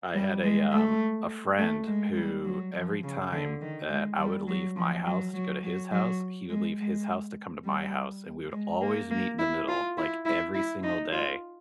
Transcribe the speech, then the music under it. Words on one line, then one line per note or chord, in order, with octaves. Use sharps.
I had a, um, a friend who every time that I would leave my house to go to his house, he would leave his house to come to my house, and we would always meet in the middle, like, every single day.
G3
G#3
A3
A3
G#3
G3
F#3
F3
C#3
D3
D#3
G#3
G3
F#3
F3
F#3
F#3
F#3
F#3
G#3
G#3
G3
G#3
A#3
A#3
E4
F4
E4
E4
E4
D#4
F4